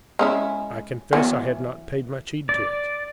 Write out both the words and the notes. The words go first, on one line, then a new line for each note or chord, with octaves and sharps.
I confess I had not paid much heed to it.
G#3 C#4 E4
E3 F#3 B3
D5